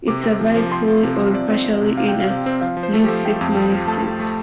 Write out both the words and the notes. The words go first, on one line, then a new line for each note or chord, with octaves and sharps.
It survives wholly or partially in at least six manuscripts.
C3 D6
C4
F3
F3
C4 C6
F3
C3
F3
C3 D5
C4
C4
C3
C3 F5
G5
C3
F5
C3
C4
F3 F5
F3
C5
A3 A4
F3 G4
A3 G5
F2
F2
F3
A3 A5
A3
A3